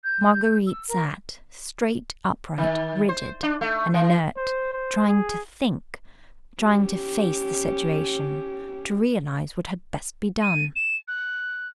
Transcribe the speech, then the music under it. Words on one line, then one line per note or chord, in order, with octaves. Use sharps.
Marguerite sat, straight upright, rigid and inert, trying to think, trying to face the situation, to realise what had best be done.
G6
E6
A#4
D#3
C5
D4
A3
E3
C5
C5
G#4
C#4 G4
D#7
E7
F#6